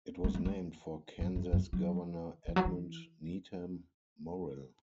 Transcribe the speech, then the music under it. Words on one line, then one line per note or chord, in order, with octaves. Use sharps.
It was named for Kansas governor Edmund Needham Morrill.
G#3
G#3
G#3
F#2
F#2
F#2
F#3
E3
F#3
E3